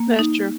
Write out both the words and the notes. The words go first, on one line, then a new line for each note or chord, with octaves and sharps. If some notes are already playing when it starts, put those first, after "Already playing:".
That's true.
Already playing: A#3
D#4